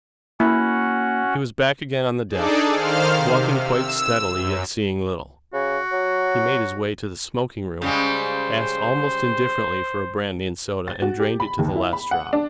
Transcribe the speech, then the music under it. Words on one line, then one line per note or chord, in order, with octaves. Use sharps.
He was back again on the deck, walking quite steadily yet seeing little. He made his way to the smoking room, asked almost indifferently for a brandy and soda, and drained it to the last drop.
A#3 C#4 E4 F#4 F#5
D4 D#4 G#4 A4 D5
D#3 C5 F5 F6
C3
E6
F#2
C#3 F#4
F#3
C#3 G3 G#3 C5
A6
F#4
G4
B5
D#2
E4
B5
F#5
D4